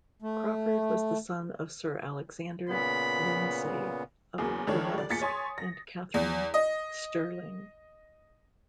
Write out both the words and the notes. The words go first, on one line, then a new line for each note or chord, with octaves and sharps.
Crawford was the son of Sir Alexander Lindsay of Glenesk and Katherine Stirling.
A3
A#2 C#3 B3 B5
E2 C#3 F#3 A#3
C#2 D#3 D4 A4 C#5
G3 D5
E2 A#2 A6 B6 C#7
C#5 G#5 C6 D#6
A#6
E2
D#5